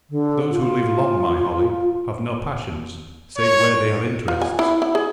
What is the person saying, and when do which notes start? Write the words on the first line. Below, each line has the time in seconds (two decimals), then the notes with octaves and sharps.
Those who live long, my Holly, have no passions, save where they have interests.
0.10 D3
0.52 F4
3.38 C#5
4.28 F4
4.42 G#5
4.59 E4
4.82 E4
4.95 G#4